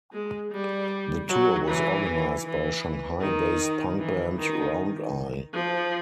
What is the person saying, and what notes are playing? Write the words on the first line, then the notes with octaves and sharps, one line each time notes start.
The tour was organized by Shanghai-based punk band Round Eye.
G#3
G3
F#3
E3
E3
D#3
E3
D#3
F3